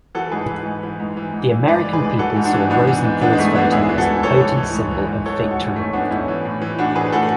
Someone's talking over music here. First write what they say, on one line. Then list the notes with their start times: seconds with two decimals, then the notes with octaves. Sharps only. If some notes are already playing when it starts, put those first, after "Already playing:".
The American people saw Rosenthal's photo as a potent symbol of victory.
0.15 E3 F#4 A4
0.32 G#2 G#4 B4
0.49 E3
0.65 G#2
0.83 E3
1.00 G#2
1.17 E3
1.34 G#2
1.51 E3
1.68 G#2 B4 D5
1.85 E3
1.93 G#4 B4
2.02 G#2
2.19 E3 F#4 A4
2.36 G#2
2.44 D4 F#4
2.53 E3
2.70 G#2 B3 D4
2.87 E3
3.04 G#2
3.21 E3 B3 D4
3.33 G#3
3.38 G#2 A3
3.55 E3 B3 D4
3.72 G#2 E4 G#4
3.89 E3
3.98 F#4 A4
4.07 G#2
4.23 E3 A4 C#5
4.40 G#2
4.57 E3
4.75 G#2
4.91 E3
5.08 G#2
5.26 E3 A4 C#5
5.43 G#2
5.51 F#4 A4
5.60 E3
5.76 G#2 A3 C#4
5.93 E3 B3 D4
6.11 G#2 C#4 E4
6.28 E3
6.45 A2
6.62 E3
6.78 A2 D4 F#4
6.96 E3 G#4 B4
7.12 A2 F#4 A4